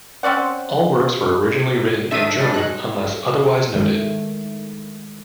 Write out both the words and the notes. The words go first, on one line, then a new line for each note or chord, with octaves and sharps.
All works were originally written in German unless otherwise noted.
C4 C#4 D5 F#5
D#3 A3 D4 E5 D#7
G3 D4
F#3 G#3 D#4 F#6
D#3 G#3 A3